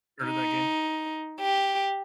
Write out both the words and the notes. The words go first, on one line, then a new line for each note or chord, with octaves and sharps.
heard of that game?
D#4
G4